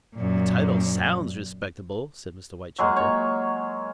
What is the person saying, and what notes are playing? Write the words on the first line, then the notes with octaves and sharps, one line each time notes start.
"The title sounds respectable," said Mr. Whitechoker.
F#2 A#2
F#3 G#3 A#3
C#5